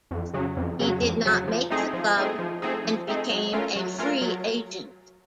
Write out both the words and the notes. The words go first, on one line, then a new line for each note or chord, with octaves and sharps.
He did not make the club and became a free agent.
F2
C#3 F#3
F2
C#3 F#3
F2
C#3 F#3
F3
A3 C4 D#4 G#4
F3
A3 C4 D#4 G#4
F3
A3 C4 D#4 G#4
F3
A3 C4 D#4 G#4
F#3
A3 C#4 F4 A#4
F#3
A3 C#4 F4 A#4
F#3